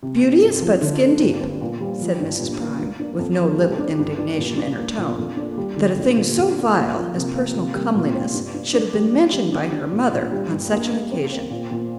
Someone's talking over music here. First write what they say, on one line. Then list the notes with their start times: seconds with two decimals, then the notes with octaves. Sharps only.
"Beauty is but skin deep," said Mrs. Prime, with no little indignation in her tone, that a thing so vile as personal comeliness should have been mentioned by her mother on such an occasion.
0.03 C3
0.22 C3
0.42 G2
0.62 F3
0.82 D3
1.01 A#3
1.22 G2
1.41 C4
1.61 A#2
1.81 G3
2.01 F3
2.20 G2
2.40 A#2
2.60 A#3
2.79 D4
2.99 D4
3.19 F2
3.39 F3
3.58 G3
3.79 D4
3.99 G2
4.18 G2
4.38 A#2
4.57 D4
4.78 A#3
4.98 A#2
5.17 F2
5.37 D4
5.58 G3
5.76 D3
5.96 A#2
6.17 A#2
6.37 F2
6.55 D4
6.76 A#3
6.96 F3
7.16 C3
7.36 A#3
7.55 C3
7.74 G3
7.95 A#2
8.14 C4
8.33 G2
8.54 D4
8.73 D4
8.94 G3
9.13 A#3
9.33 G3
9.52 D4
9.72 D4
9.93 A#2
10.12 A#2
10.32 G3
10.52 G2
10.72 A#3
10.92 A#3
11.11 C4
11.31 C4
11.51 A#2
11.71 A#2